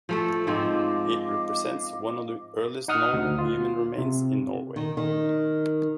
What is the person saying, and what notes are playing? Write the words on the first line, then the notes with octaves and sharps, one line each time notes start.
It represents one of the earliest known human remains in Norway.
F3 A3 A4
G#2 F3 C4 D#5 F5 D6
D#4 F#5 D#6 F6
D2
F4
C3
D#3
D#3